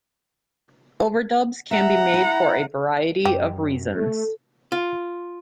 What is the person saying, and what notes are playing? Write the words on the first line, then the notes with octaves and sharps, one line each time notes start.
Overdubs can be made for a variety of reasons.
E5 F#5 A#5
E4
F#2 G4
A3 A4
F4